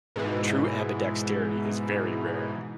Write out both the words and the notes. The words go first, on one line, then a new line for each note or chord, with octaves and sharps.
True ambidexterity is very rare.
G#2 B2 E3